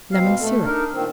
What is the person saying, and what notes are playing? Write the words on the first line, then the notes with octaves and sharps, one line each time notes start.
Lemon Syrup.
B2 C4 F5
A3 A4
D4 D#4 A#4
A#2 D#3 C4